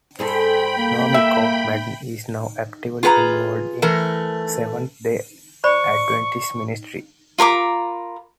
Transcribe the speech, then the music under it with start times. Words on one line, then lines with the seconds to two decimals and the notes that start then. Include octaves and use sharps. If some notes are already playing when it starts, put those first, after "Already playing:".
Nwamiko Madden is now actively involved in Seventh-day Adventist ministry.
0.19 G2 G#4 A4 C5 G5 B5
0.77 A#3
1.14 E5
3.03 F4 G#4 B4 F#5 A#5
3.82 E3 A3 A#4
5.64 C5 D5 B5 C#6
7.38 F4 A#4 B5 D6